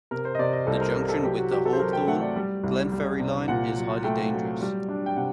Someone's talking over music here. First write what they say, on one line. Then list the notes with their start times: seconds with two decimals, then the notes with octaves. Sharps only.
The junction with the Hawthorn - Glenferrie line is highly dangerous.
0.11 C3 A#4
0.25 C5
0.35 D#5
0.39 C3 D5
0.53 D#5
0.67 C2 A4
0.76 C5
0.81 A#4
0.95 C3 A#4
1.09 A4
1.23 F#3 G4
1.37 F#4
1.51 F#3 G4
1.65 A4
1.73 C5
1.79 F#3 A#4
1.93 G5
2.07 A3 F#5
2.21 D5
2.36 G3
2.63 C2
2.92 G3
3.20 C3
3.48 A#2 F#5
3.76 F#3
4.04 A3 G5
4.32 F#3
4.61 G3
4.88 D4
5.06 G5
5.16 C3 F#5